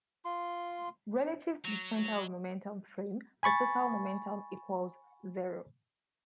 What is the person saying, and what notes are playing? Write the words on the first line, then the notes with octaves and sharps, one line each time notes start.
Relative to the center of momentum frame the total momentum equals zero.
F4 C6
F#3
G#5 B5 C#6 A6